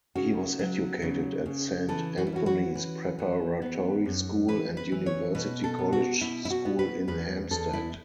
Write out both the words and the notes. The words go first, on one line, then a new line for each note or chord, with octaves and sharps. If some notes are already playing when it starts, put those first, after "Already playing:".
He was educated at Saint Anthony's Preparatory School and University College School in Hampstead.
C#3 F#4
F#3
C#3
C#3
E3 A4
F#4
E4
C#4 F#4
F#4
E3
E3
B3
F#2
E3 B4
B4
E3
C#5
B2 B4
A4
B3
F#4
B2 E4
E4
F#4
B3
B4
E2 B4
E2 A4
E4